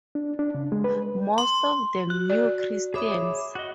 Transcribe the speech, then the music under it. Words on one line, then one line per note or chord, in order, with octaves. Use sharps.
Most of them New Christians.
D4
D4
C#3
G#3
B4
C6
F#4 F#6
D5
G#4 C#5 E5 B5 D6 D#6
F#4 D#5